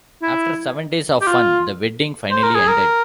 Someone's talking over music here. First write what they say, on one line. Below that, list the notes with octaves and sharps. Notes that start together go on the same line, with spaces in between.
After seven days of fun, the wedding finally ended.
E4
G4
F4
C5
A#4
G#4
A#4